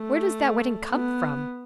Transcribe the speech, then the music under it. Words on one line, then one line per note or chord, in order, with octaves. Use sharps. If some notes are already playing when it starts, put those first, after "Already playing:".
"Where does that wedding come from?"
Already playing: A3
B3